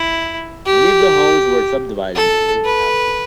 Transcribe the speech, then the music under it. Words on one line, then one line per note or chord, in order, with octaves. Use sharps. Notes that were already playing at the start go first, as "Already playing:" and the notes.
Many of the homes were subdivided into rooming houses.
Already playing: E4
G4
A4
B4